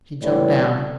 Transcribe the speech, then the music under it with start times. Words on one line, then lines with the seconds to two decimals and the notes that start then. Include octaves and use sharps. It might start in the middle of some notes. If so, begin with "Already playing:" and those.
He jumped down.
0.21 A2 E3 G3 D5